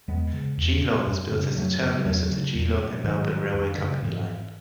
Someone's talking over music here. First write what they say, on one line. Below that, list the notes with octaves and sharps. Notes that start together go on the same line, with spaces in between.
Geelong was built as the terminus of the Geelong and Melbourne Railway Company line.
E2 G#3 B3
C#3
E2
B2
F#2
C#3
F#2 F#3 A3
C#3
E2 F#3 A3
C#3
E2
B2
G#2 D#3 F#3
F#2
C#3
G#2 E3